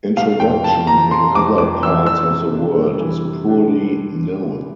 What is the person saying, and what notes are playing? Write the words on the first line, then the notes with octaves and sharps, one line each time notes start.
Introduction in other parts of the world is poorly known.
C3 F5
F2 G5
F2 A5
E3 A#5
C3 C6
F2 D6
F2 D6
E3 E6
E3 E6
C3
D4
G3
E3
C3
D4